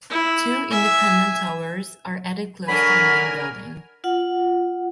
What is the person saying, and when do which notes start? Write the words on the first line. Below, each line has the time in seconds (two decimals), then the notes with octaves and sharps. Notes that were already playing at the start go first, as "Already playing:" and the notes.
Two independent towers are added close to the main building.
0.10 E4
0.71 E5 G#5
2.68 D3 F#3 D4 A#4 G#5 B5
4.04 F4 F#5